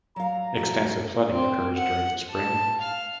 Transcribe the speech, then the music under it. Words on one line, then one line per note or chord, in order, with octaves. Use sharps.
Extensive flooding occurs during the spring.
F#3 F5 A#5
F3 E4 F#4
C4
F#5
A5
F5